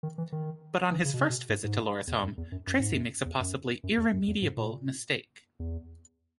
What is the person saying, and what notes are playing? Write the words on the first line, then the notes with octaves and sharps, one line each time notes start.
But on his first visit to Laura's home, Tracy makes a possibly irremediable mistake.
D#3
E3
D#3
E3
C#3
B2
C#3
B2
G#2
G#2
E2
F#2
E2
F#2
F#2
G#2
F#2
E2
F#2
F#2
E2
F#2
E2
G#2
A#2
E2